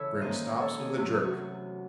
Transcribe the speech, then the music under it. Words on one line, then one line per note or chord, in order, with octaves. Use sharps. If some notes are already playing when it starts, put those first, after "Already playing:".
Grim stops with a jerk.
Already playing: C#3 E3 A4 C#5 E5
D#2 D#3 G#3 C#4 C5 D#5
A4 C#5
G#4
E2 C3 F#3 A3 C#4
G#4
F#4
F#4